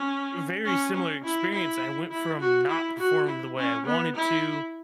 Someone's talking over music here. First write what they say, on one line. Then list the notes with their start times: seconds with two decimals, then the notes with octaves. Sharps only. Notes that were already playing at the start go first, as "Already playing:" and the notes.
very similar experience, I went from not performing the way I wanted to,
Already playing: C#4
0.65 C#4
0.94 C#4
1.23 E4
1.53 E4
2.11 E4
2.40 F#4
2.68 E4
2.99 F#4
3.27 E4
3.56 C#4
3.85 B3
4.15 E4